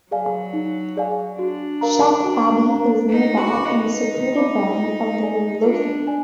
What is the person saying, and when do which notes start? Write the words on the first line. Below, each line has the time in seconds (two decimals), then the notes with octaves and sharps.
Shap Abbey is nearby in the secluded valley of the river Lowther.
0.11 F#3 G#4 D5 F5 G#5
0.53 D#4
0.97 G#4 D5 F5 G#5
1.39 D4 F#4
1.81 A#4 F5 A#5
2.24 F#4
2.67 A#4 F5 A#5
3.09 D#4 B4
3.37 F#4
3.52 F5 B5 D6
3.66 D#4
3.94 B4
4.37 F5 B5 D6
4.79 F4
5.23 G#4 D5 G#5
5.64 D4 F4
6.07 D5 G#5